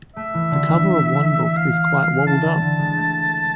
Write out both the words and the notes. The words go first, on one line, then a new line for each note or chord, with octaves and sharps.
The cover of one book is quite wobbled up.
A3 E5
E3
D3
E3
F5
E3 A5
D3
D3
G#3
A3